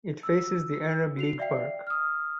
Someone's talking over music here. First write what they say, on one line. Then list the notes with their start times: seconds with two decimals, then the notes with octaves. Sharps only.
It faces the Arab League Park.
0.23 E6
1.17 F#4 C7 F7
1.39 D5 E5 F5 G5 C7
1.87 D#6 F6